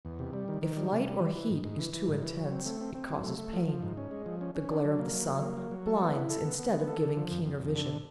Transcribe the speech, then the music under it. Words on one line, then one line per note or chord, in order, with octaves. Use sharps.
If light or heat is too intense, it causes pain; the glare of the sun blinds instead of giving keener vision.
E2
C3
G3
D#3
D#3
G3
C3
G3
E3
E3
G#2
G#2
E3
E3
G#2
E3
F#3
C4
A3
C4
C4
F#3
A3
A3
F3
F3
G#2
C#4
G#3
F3
C#4
C#4
D4
F#3
A#3
F#3
F#3
A#3
F#3
F#3
A4
B3
E4
A4
B3
B3
B3
A4
D3
F3
F2
F2
F2
D3